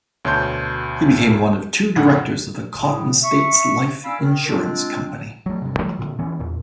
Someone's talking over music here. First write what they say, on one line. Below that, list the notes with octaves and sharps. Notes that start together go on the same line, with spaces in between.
He became one of two directors of the Cotton States Life Insurance Company.
D2 B2 C#5 A5 C6 G6
F2 A2 C#3 E4 F#5
A2 C#3
E5 C#6
D5 F5 G#5 B5 E6
D#3
G#3 C4 D4 F4
F#3 A3
G2 C3
E3 F#3 G3 A3
A#2 D3
D#3 E3 B3 C#4
E2 A#2